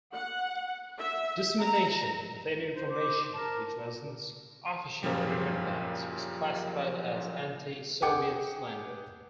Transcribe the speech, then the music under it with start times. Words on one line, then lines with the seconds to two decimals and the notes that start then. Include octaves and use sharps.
Dissemination of any information which was not officially recognized was classified as "Anti-Soviet slander".
0.14 F#5
0.99 E5
1.61 A#5
2.76 C5
2.91 D6
3.33 A#4 A5
5.03 F#2 A#2 C#3 F3 G3
8.02 G#4 F#5 G5 D6 C#7